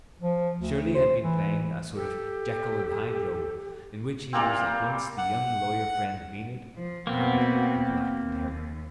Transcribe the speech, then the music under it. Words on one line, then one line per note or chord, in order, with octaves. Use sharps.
Shirley had been playing a sort of Jekyll and Hyde role in which he was at once the young lawyer friend of Enid and the Black Terror.
F3
D2
C5
E3
G4 A4
A#2 G3 A#3 C4
F#5
F3
B2 A#3 C4 F#4
D#2